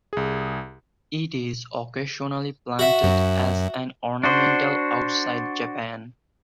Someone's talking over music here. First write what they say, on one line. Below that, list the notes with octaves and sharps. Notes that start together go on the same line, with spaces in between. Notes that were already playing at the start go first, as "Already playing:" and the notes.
It is occasionally planted as an ornamental outside Japan.
C2 G#4
F#4 E5
F#2
D4 F#4 C5